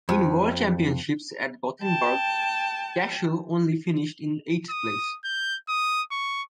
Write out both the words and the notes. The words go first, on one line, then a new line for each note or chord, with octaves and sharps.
In World Championships at Gothenburg, Cacho only finished in eighth place.
F2
G5 A5
D#6
G6
D#6
C#6